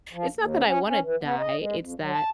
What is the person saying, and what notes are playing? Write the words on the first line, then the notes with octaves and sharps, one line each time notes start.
It's not that I wanna die it's that
F3
D#2
C#4
C#4
E3
B3
D#5
G#3
F2
F#3
A5